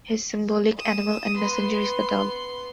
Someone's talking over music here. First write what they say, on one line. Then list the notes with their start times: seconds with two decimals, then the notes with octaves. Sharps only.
His symbolic animal and messenger is the dove.
0.78 D#6 E7
1.36 B3 C6